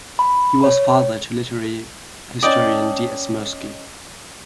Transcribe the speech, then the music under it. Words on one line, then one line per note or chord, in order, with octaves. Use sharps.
He was father to literary historian D. S. Mirsky.
B5
C#5
C#4 D5 D#5 G5 A5 D#6